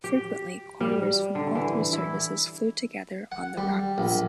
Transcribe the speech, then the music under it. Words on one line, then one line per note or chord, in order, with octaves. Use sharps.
Frequently, couriers from all three services flew together on the routes.
G4
G3
D3
E3
E4
F#5
G3
A#1